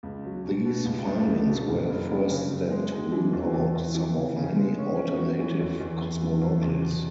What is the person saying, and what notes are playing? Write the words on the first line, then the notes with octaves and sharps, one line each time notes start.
These findings were a first step to rule out some of many alternative cosmologies.
C#2
F#3
B2
B2
C#2
C#2
C#2
B2
F#1
F#1
F#2
C#3
F#2
G#3
G#3
E3
E2
E3
E2
E3
C#3
C#3
G#3
C#4
C#4
F#4
E3
E2
E2
E2
E3
E2
E2
B2